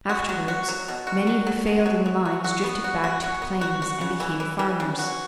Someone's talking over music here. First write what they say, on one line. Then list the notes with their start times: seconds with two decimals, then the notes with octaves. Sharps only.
Afterwards many who failed in the mines drifted back to the plains and became farmers.
0.09 F#4
0.29 F#3
0.48 F#4
0.68 F#3
0.88 B2
1.07 F#4
1.27 F#3
1.47 F#3
1.67 B2
1.86 F#3
2.06 F#3
2.25 F#4
2.44 F#4
2.64 B3
2.84 F#4
3.04 F#4
3.22 F#4
3.42 B3
3.61 F#4
3.82 F#4
4.01 C#3
4.20 E3
4.40 E3
4.59 E3
4.80 C#3
4.99 F#4